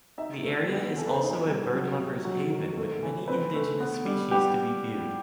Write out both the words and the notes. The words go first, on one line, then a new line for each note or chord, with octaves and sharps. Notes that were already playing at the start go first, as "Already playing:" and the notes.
The area is also a bird-lovers haven with many indigenous species to be viewed.
D#4 E5
A3
B3
E3 A4
B4
C5
D#4 D#5
G3
F#3
C3
F#3
D#3
A3
E3
C4 B4
A3
B3
G3
B3 G4